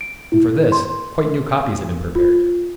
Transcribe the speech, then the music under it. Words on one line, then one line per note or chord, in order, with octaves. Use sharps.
And for this, quite new copies had been prepared.
D7
E4
C6
F4